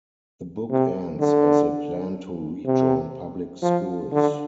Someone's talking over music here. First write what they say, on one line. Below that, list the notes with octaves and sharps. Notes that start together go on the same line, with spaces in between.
The book ends as they plan to rejoin public schools.
C3
D3
C3
F3
D3